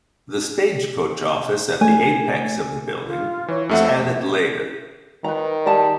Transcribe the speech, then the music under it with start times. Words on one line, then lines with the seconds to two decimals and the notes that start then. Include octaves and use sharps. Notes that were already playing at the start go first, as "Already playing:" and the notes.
The stage coach office at the apex of the building was added later.
1.81 A3 G#5
3.06 F4
3.48 E3 C#5
3.69 F2 A3 E5 F#5
5.24 D#3 B4 A#5
5.66 G3 G#4 A5